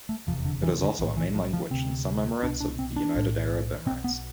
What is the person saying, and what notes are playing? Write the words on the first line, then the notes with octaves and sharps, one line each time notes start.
It is also a main language in some Emirates of the United Arab Emirates.
A3
F1 E2 C3 F3
D3
E3
D3
B1 A2 E3
E3
F3
F3
D2 C3 C4
C2 B2 D4
D4
C4
D4
B1 A2
B1 B2 C4
B3